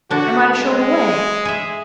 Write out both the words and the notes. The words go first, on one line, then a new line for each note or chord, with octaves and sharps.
Am I to show the way?'
D3 D4 F#4
G#3
G#4
G#4 E5